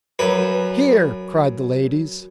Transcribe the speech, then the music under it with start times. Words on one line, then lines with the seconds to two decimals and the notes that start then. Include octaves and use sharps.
"Hear!" cried the ladies.
0.19 F#2 B4